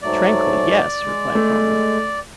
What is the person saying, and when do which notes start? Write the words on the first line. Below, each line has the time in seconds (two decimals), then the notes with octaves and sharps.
"Tranquil, yes," replied Cromwell.
0.02 G#2 F#3 A3 D5
1.03 G#3
1.35 A3